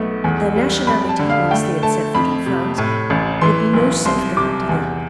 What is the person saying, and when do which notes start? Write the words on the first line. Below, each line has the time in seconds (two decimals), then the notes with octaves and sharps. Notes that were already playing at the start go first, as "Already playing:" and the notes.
Their nationality, once they had set foot in France, would be no safeguard to them.
Already playing: B1 A3 B3
0.24 E2
0.56 G3
0.87 F2 B5
1.09 A5
1.19 D3
1.30 F5
1.51 A3 G5
1.83 A3 A5
2.14 F2 B5
2.46 C3
2.78 A2
3.10 A1
3.41 E3 C6
3.73 B1
4.05 C2 C6
4.37 C3 D6
4.69 E2